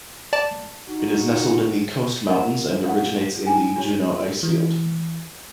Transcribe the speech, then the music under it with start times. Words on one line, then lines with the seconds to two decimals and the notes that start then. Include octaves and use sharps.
It is nestled in the Coast Mountains and originates in the Juneau Icefield.
0.33 D5 A5
0.88 D#4 F#4
2.28 A#4 D#5 F5 F#5 A#5
2.86 F5 F#5
3.46 D#4 F4 G5 G#5 A#5
3.75 D4 F4 G4 C#5
4.43 E3